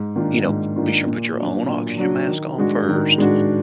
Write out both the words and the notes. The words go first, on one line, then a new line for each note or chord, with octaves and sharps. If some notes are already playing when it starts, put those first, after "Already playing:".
you know, "Be sure to put your own oxygen mask on first,
Already playing: G#2
D#3 A#3 D4 F4
G#2
D#3 A#3 D4 F4
A#2
F#3 D4 F#4
A#2
F#3 D4 F#4
D#3
G#3 D4 F#4
D#3
G#3 D4 F#4